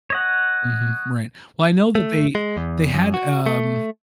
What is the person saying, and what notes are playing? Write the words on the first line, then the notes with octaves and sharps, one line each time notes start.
Mhm, right, well, I know that they they had, um
C#5 D#5 F#5
A3
G#3
E2
F#2
F#4
A3